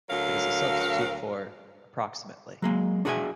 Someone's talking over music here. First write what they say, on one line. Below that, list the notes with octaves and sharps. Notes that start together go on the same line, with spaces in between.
It is a substitute for "approximately".
D2 F#3 A#4 F5
F#3 G#3 A#3
D4 F#4 G#4 E5 F5 G#5